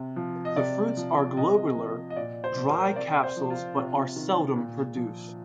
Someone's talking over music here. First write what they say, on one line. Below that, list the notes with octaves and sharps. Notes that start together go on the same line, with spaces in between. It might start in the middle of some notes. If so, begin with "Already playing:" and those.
The fruits are globular dry capsules but are seldom produced.
Already playing: C3
F3
D#5
C3 D5
F3
C3 D#5
F3
D#5
A#2 D5
C5
F3
A#4
C3 D5
C5
F3
F4
C3
D#3
A#2
F3